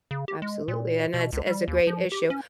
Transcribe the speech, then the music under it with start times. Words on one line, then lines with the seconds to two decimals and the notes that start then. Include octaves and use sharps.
Absolutely, and that's that's a great issue.
0.11 C#3
0.28 G4
0.42 G#3
0.68 A#2
1.14 B2
1.33 C#2
1.47 G3
1.68 D#2
1.87 F3
2.12 G4
2.30 C#4